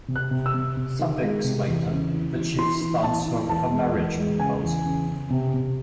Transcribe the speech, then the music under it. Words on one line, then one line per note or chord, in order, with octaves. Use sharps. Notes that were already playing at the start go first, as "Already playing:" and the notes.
Some weeks later, the Chief stuns her with a marriage proposal.
C3
F#6
C3
E6
C3
C3
D#3
G#3
C3
E2
C#3
E3
E3
E3 C6
E3
E3 A5
E3
E2 A5
G#3
E2
G#3
C#3 G#5
E2
C#3
C#3
C3
C3